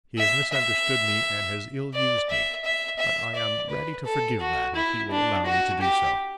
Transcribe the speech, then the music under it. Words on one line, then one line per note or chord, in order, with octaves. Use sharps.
He has misunderstood me and has ill-used me. But I am ready to forgive that, if he will allow me to do so.
E5
E5
D5
E5
E5
E5
D5
B4
A4
F#4
E4
D4
F#4
G4